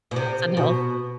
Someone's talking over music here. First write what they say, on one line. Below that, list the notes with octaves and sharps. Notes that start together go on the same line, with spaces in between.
That's unhealthy.
B2
C3
B2